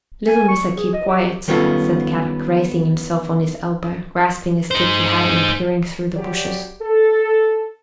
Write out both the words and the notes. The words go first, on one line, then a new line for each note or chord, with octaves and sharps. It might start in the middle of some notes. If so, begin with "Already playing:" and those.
"Little Missa keep quiet," said Kadok, raising himself on his elbow, grasping a stick he had and peering through the bushes.
G#5
C#6
G#4
D#5
G4
D#3 G3 B3 C#4 F4 A4
D#4 C5
F#3 G4 D5
A4